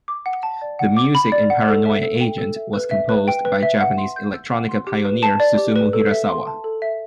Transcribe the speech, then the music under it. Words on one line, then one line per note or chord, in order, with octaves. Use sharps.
The music in "Paranoia Agent" was composed by Japanese electronica pioneer Susumu Hirasawa.
D6
F#5
A5
D5
F#5
D6
B5
D5
F#5
A4
E5
A4
G5
A4
E5
B4
E5
B4
G5
B4
E5
F#5
C6
G6
E6
F#5
C6
G4
B4
A5
D5
G4
B4
A4
E5
C6
A5
A4
E5